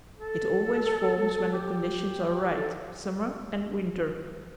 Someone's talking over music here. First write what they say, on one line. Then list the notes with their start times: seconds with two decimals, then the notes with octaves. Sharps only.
It always forms when the conditions are right, summer and winter.
0.18 A4
1.53 G4
2.44 G4
2.54 A4